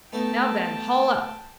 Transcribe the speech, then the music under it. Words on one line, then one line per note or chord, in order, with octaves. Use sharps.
Now, then, haul up.
A3 B3 D#4 G5 A5